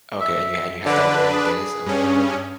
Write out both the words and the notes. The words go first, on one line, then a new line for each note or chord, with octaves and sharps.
Okay, and you and you had that warm Guinness over there?
E5
D3 D4 B4
G#4
G2 C#4